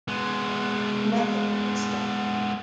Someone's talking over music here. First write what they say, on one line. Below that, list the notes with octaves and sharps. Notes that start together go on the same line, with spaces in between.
Nothing can stop him.
G#3 B3